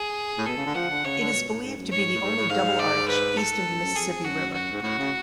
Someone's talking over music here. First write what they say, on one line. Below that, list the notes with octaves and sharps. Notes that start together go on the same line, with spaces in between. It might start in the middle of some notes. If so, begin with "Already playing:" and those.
It is believed to be the only double-arch east of the Mississippi River.
Already playing: G#4
A2
B2 A4
C#3
D3
F3 F#5
D3
C#3 C#5
D3
B2
A2
G#2
F#2
G#2 C#5
A2
G#2
A2
G#2 F5
D5
B4
A4
F#2
F#2
F2 G#4
F#2 F#4
F#4
G#2
A2 F#4
C#3